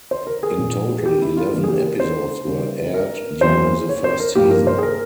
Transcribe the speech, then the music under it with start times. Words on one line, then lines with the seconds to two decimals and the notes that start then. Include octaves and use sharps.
In total, eleven episodes were aired during the first season.
0.11 C5
0.27 A#4
0.43 G#4
0.58 A#2 F3 A#3 C#4
0.99 G#4
1.06 G4
1.22 E4
1.37 F4
1.53 C#3 E3 A#3 C#4 F4
1.64 G#4
1.69 G4
1.84 A#4
2.00 C5
2.47 C#3 G3 C#4
2.94 A#4
3.41 E2 E3 A#3 C5
3.89 C#5
4.04 C5
4.20 A#4
4.35 G2 F3 A#3 G4
4.51 A#4
4.67 C5
4.78 G#4
4.83 A#4